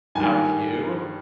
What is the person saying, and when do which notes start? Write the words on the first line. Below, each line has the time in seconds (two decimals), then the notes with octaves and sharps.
out of you
0.15 G2 D#3 G3 G#5